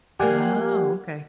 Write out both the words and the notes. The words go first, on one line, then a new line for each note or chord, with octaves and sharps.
Oh, okay.
F3 G3 A#3 G4 F#5 G#5